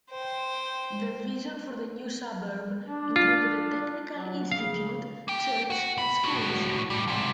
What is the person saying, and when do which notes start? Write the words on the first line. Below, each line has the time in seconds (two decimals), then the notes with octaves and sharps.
The vision for the new suburb included a technical institute, church and schools.
0.11 C5 G5
2.86 D4
3.16 F4
4.12 F#3
4.52 C#3 F5
5.28 A#3 G5
5.70 F#4 F#5
5.98 C#2 B5
6.23 A2 F#4
6.90 A2 G3
7.07 G#2 C3